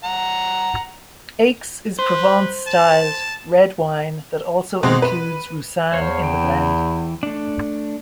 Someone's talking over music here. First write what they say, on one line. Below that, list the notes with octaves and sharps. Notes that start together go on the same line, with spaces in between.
Aix is Provence-styled red wine that also includes Roussanne in the blend.
F#5 A#5
B4 C5
A5
B2 G#3 C4
B4
E2 C5 C#5 F5
E3 G5
A3 D4